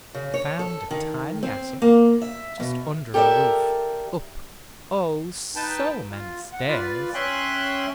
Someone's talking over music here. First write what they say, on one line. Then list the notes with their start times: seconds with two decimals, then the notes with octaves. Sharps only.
He found a tiny attic, just under a roof, up, oh! so many stairs.
0.15 C#3
0.34 C#5
0.59 A4
0.91 D#3
1.43 C4
1.82 A#3
2.22 E5
2.60 B2
3.14 G4 A4 A#4 C#5 D5 E5
5.55 D#4 B4 G5 A5
6.09 F4
6.53 F#5
6.68 F4 B4 D5
7.14 C#4 E5 G5 G#5 C6 F#6